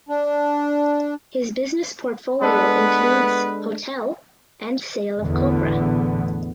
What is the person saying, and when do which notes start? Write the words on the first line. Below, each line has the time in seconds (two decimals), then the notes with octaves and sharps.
His business portfolio includes hotel and sale of copra.
0.09 D4
2.42 G#3 B3 D4 A4 B4
5.22 A1 E2 A2 D3 B3